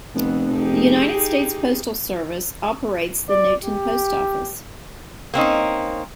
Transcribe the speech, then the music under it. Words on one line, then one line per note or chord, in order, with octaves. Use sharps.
The United States Postal Service operates the Newton Post Office.
F1 F2 B3
D#4 G4 G#4
D5
G4
A#3 C4 C#4 D#4